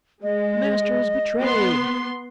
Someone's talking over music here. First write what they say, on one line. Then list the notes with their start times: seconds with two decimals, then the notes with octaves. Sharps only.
"The Master is betrayed!"
0.23 G#3 D#5
1.40 B3 C6